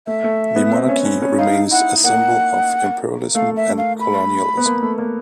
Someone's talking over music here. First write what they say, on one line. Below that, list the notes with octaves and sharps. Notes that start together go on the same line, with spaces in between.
The monarchy remains a symbol of imperialism and colonialism.
A3 E5
A3
B3
C4
C#4
C#4
C#4
D#4 F5
E4 F#5
A#3 F#5
A3 F5
E5
A3
F5
B5
B3
A#3
A3
A#3